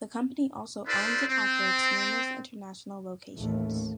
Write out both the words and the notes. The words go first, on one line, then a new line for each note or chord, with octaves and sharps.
The company also owns and operates numerous international locations.
D#4 F4 A4 B4 C5 D5
C4
A1 D#2 A3